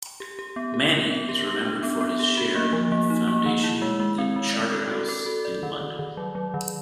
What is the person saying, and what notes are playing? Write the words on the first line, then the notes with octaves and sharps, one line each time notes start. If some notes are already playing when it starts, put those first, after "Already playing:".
Manny is remembered for his share in the foundation of the Charterhouse in London.
G4
G4
B3
G4
A#4
B3
G4
G4
D4
B3
B3
G4
F#4
A#3
F3
A#3
D#4
A#3
D#3
E4
G#3
G#3
C4
G#3
D5
A4
F#4
A4
F#4
D5
D#3
D#3
D#3
F#3
F#3
D#3